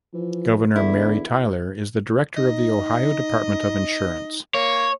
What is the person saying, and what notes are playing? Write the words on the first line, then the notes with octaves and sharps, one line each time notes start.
Governor Mary Taylor is the director of the Ohio Department of Insurance.
E3 F3
E2 D3 E4
D#4 D#5
A#3 C#5